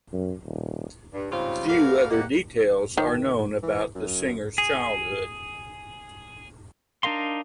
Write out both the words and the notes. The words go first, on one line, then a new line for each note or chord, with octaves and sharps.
Few other details are known about the singer's childhood.
F#2
D#1
G2
G#2 C#3 G3 C4 F4
A3 F#4 A#4 B4 D5 F5
E2 A#3 G4 D#5 F#5
D#3
E3
F#2
G#4
D4 D#4 A#4 F5 C6